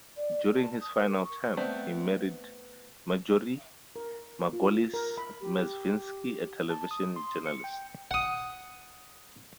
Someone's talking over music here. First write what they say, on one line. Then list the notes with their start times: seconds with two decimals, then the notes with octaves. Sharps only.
During his final term he married Marjorie Margolies-Mezvinsky, a television journalist.
0.16 D5
0.56 A5
0.80 D#6
0.99 A#4
1.24 C#6
1.57 A3 B3 C4 D5
3.96 A#4
4.53 F4
4.94 A#4
5.18 B5
5.41 G4
6.70 A5
6.91 D#6
7.16 C6
7.46 C#7
7.64 G5
8.11 F#5 D#6